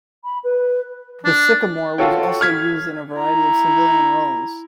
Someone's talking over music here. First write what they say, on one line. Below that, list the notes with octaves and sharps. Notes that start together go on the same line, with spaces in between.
The Sycamore was also used in a variety of civilian roles.
B5
B4
D4
F4 F#4 A4 C#5 G5
F6 G#6 B6
E4 A#5